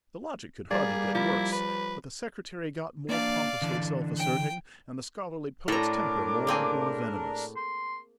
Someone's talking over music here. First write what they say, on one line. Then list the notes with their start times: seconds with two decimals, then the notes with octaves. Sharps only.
The logic could hardly get worse, but the secretary got more pompously self-asserting, and the scholarly poet's temper more and more venomous.
0.71 G3 A#3 G#4 D5
1.15 F3 E4
1.52 B4
3.09 A#3 D4 D5 F5
3.62 D3 E3 D4
4.17 G5
5.68 A2 D4 A4 A#4 A#5 D6
6.47 A#3 C4 G#4
7.56 C6